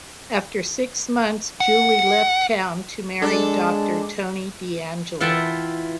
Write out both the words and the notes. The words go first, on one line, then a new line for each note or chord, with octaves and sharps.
After six months Julie left town to marry Doctor Tony DeAngelo.
F#5
G#3 D4 A4
E3 F4 E5 F#5 G5 A5